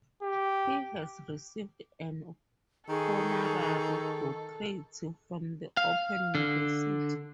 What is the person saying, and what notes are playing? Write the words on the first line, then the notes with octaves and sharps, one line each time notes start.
He has received an honorary doctorate from the Open University.
G4
D#3 G#4 A4 C#6
F5
D3